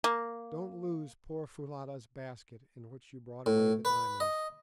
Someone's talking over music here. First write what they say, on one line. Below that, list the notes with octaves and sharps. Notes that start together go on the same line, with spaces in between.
Don't lose poor Foulata's basket in which you brought away the diamonds.
A#3
A2
B4
D#5